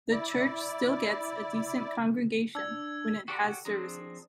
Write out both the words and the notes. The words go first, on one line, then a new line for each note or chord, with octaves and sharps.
The church still gets a decent congregation when it has services.
E4 D5
D4 E6 G#6
F#4 G4 A4 D5 F#5
F3 C4 D4 G#4 A#5